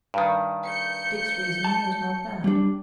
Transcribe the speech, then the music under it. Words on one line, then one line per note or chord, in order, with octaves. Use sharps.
Dick's reasoning was not bad.
G2 D#3
G6 C#7
A5
G3 D4